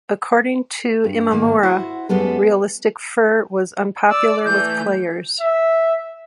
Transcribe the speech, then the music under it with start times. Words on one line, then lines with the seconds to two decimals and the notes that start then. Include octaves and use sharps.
According to Imamura, realistic fur was unpopular with players.
1.04 G2
1.31 G#2 D#3 A#3
1.63 E4 F#4 C5
2.09 F#2 G3 G#3 B3 A4
4.09 D5 E6
4.45 E3 A3 G6
5.41 E5